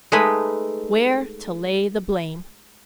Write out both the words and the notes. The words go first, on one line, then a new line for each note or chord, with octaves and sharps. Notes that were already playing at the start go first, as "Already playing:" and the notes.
Where to Lay the Blame.
G#3 A3 D#4 B4 G#5 B5